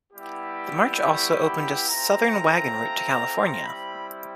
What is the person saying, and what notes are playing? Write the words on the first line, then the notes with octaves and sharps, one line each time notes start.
The march also opened a southern wagon route to California.
G3 B3 E4 G4
C#6
B5
A3 C4 F4 A#5
G3 C4 E4 B5